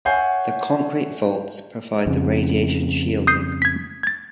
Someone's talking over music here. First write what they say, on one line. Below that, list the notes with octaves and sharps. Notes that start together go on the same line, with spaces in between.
The concrete vaults provide the radiation shielding.
C#5 E5 F#5 G#5 G6 C7
F2 C#3
D#6 G6 C7
G#6 B6
G#6 A6